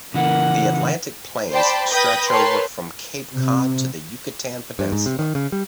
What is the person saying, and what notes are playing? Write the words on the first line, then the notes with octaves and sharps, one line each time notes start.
The Atlantic Plains stretch over from Cape Cod to the Yucatan Peninsula.
C#3 E3 A#3 F#5
C5 D5 G5 A5 B5
B4 G5 D#6 G6 A#6 B6
A#4 B4 C#5 G5 A5 C6
C3
G2
G#2
C3
D#3
C#3
G3